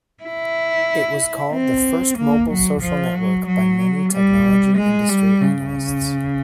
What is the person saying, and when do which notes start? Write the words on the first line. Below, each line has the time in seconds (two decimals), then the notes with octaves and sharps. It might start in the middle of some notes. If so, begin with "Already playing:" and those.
It was called the first mobile social network by many technology industry analysts.
0.24 E4
1.53 C4
2.18 A#3
2.51 F#3
2.83 F3
3.15 F#3
3.47 F#3
4.12 G3
4.78 G#3
5.09 G3
5.42 C#3